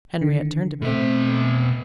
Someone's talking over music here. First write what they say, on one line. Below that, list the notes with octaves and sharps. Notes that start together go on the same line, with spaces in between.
Henriette turned to me.
D3 D#3
B2 A3 C4 E5